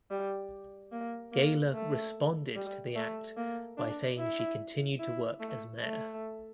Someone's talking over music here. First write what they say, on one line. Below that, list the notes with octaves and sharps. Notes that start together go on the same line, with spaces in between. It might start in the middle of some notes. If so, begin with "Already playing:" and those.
Gaylor responded to the act by saying she continued to work as mayor.
G3
A#3
A#3
A3
G3
A3
A#3
D4
E4
E4
A3
A3